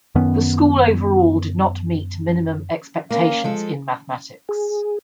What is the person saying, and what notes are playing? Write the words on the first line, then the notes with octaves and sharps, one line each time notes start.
The school overall did not meet minimum expectations in mathematics.
F#2 D#3 B3 C#4
A#3 C#4 F5
F3 G#3 A4
G#4